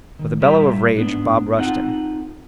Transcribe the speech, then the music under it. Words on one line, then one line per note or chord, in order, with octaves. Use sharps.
With a bellow of rage, Bob rushed him.
D#3
A#2 G3 F4 G4 E5 A#5
G#2 B3 D4
C4 D#4 F4 A4 F#5